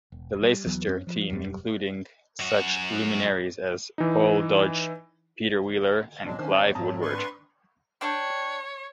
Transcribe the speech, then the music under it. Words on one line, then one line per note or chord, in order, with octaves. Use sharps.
The Leicester team including such luminaries as Paul Dodge, Peter Wheeler and Clive Woodward.
E1
G3
D#2 E3 F#3 B3
F#2 C4 C#4
F3
E1 F#2 G3
F#2 F#4
E3 D#4
A1 G2 B2 F#3 G#3 D4
D#3 C#4 D4 C5
G1 C#5 D5
G#2 F#3 C4 A5 A#5 D#6
D4 B4 C6 C#6
D4 C#5 G5